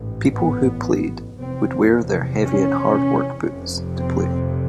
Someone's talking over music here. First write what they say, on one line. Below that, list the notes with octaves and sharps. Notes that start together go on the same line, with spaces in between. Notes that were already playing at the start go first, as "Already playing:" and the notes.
People who played would wear their heavy and hard work boots to play.
Already playing: A1 G#2
B3
F1 E2 C3 C4
C#4
F1 F2 C3
C4